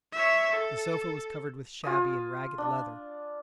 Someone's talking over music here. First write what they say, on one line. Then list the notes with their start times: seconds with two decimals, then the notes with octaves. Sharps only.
The sofa was covered with shabby and ragged leather.
0.12 C#5 E5
0.51 A4
1.84 F4 G#5 D#6
2.58 D4